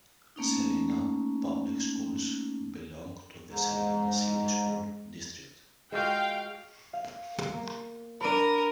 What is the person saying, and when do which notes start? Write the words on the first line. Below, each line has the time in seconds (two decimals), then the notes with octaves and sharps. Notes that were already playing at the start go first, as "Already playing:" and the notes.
Celina Public Schools belong to the Celina City School District.
0.36 A3 A#3 C#4 D#4
3.48 G#2 G#3
5.92 G#3 F4 F#4 F5 G5
6.93 F5
7.53 A#3
8.21 D4 A#4 B4 B5 D7 D#7